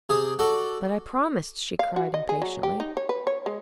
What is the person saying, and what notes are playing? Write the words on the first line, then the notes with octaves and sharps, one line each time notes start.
"But I promised!" she cried, impatiently.
C3 G#4 D#6
F#4 A4 D5 D6
F5
F#4
D#5
G#4
F#3
G4
D#4
C#5
B4
C#5
G#3